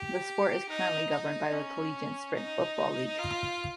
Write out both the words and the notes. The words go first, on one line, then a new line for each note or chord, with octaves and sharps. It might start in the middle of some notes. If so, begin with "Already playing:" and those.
The sport is currently governed by the Collegiate Sprint Football League.
Already playing: G4
D#4
D#4
C#4
D#4
F4